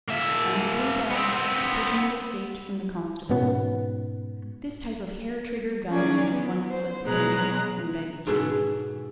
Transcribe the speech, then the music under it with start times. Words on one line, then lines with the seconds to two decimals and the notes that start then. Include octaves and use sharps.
On his way down the prisoner escaped from the constable. This type of hair-trigger gunmen at once fled the country when Begbie came.
0.09 A#3 E5
1.10 B3 C4
3.29 G#2 B2 B3 C#4
5.89 F#3 C#4 G#4 D5
6.30 B3
6.69 C5
7.04 B2 F#3 G#3 A#5 F#6
8.27 G#2 B2 G#4 A4 B4 A5